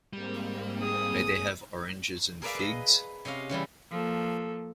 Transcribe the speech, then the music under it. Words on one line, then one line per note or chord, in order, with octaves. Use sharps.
May they have oranges and figs?
G#2 G3 A#3 C4
G#4 D#6
G#4 A#4 B4 D5 E5 F5
B4 D#5
C3 C#4 D#5 F5
C#3 E3 G3 E4
F3 A#3 A4